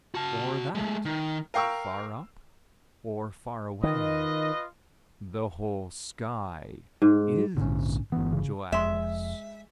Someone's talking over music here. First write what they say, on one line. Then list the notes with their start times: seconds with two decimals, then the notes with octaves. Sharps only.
Or that, far up, or far away, the whole sky is gelatinous?
0.15 F#4 A5
0.75 G#3 A3
1.05 D#3
1.54 A#4 F5 G5 C#6 E6
3.83 D#3 F4 B4 D#5
7.02 G#2
7.57 A#1 G#2 D3 C#4
8.12 G1 E3 B3
8.33 C#3
8.72 F1 F2 G#3 E5 C6